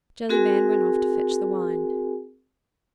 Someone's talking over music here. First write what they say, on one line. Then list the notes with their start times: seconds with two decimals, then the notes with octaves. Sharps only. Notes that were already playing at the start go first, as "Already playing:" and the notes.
Jellyband went off to fetch the wine.
0.29 C4 F#4 G#4 A#4 G#5